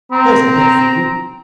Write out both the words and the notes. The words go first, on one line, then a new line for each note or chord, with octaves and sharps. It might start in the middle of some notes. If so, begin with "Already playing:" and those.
There's a bet for you!...
C4 A#5